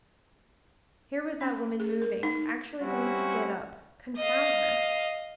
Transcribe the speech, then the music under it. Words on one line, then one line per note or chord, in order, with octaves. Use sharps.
Here was that woman moving--actually going to get up--confound her!
C#4
G#4
A#4
D#4
G3 C4 C#4 E4 F#4
D#5 F5